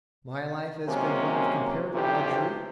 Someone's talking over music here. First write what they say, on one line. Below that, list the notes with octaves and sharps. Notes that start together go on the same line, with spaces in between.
My life has been one of comparative luxury.
C3 F#3 G#3 A#3 C#4
B1 F2 C3 E3 G4